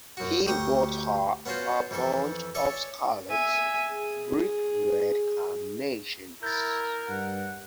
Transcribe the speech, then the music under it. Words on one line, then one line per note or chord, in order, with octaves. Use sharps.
He bought her a bunch of scarlet, brick-red carnations.
F#2 F#4
D2 G4 G5 C#6 D#6
B3 C#4 F4 F#4 C5
F2 E3 A4 E5
A4 C#5 D5 E5 G#5
E5 G#5
G#4
E4 A#4 G6 A6
G2 F#5